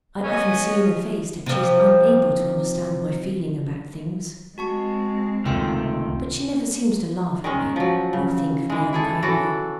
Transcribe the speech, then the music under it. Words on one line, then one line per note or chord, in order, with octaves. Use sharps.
I often see in her face that she is unable to understand my feeling about things; but she never seems to laugh at me, nor think of me unkindly.
B3 C#4 D#5 G#5
C3 F3
G#3 C4 F#4 A5 C#6
C#2 F#2 C3 D#3 A3 F4 G5 C6
D#3 G#3 C#4
F3 F#3
C#3
E3 G#3
E4 G#4 A4
E3 F#3 F#4 A4